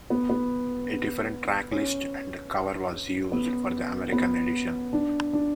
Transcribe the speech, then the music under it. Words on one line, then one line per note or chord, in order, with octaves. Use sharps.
A different track list and cover was used for the American edition.
B3
B3
C#4
B3
B3
D4
D4